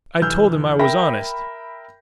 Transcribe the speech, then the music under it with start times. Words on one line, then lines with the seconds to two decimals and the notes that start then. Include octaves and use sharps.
I told him I was honest.
0.22 F1 E3 E6 F6 G6
0.79 A#4 E5 G5 B5 A#6